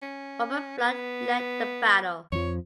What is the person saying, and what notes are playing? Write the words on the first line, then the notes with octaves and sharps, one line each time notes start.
Robert Fludd led the battle.
C#4
B3
F2 F3 C#5